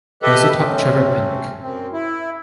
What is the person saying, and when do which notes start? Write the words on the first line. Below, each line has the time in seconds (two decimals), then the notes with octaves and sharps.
He also taught Trevor Pinnock.
0.23 G4 A4 B4 D#5 E5
0.57 A3 C4 C#4
1.62 F#2 C4
1.93 E4